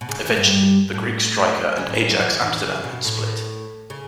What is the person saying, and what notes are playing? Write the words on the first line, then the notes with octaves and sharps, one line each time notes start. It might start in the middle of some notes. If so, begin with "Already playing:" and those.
Eventually, the Greek striker and Ajax Amsterdam had split.
B2
C#3
E2 E3
A3
G2 G3
A2 A3
C#3 C#4
A2 A3
G2 G3
F#2 F#3
E2 E3
E2 E3
C#3
B2
A2
C#3